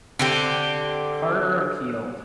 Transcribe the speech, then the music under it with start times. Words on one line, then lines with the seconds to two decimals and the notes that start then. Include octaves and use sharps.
Carter appealed.
0.19 D3 C4 G4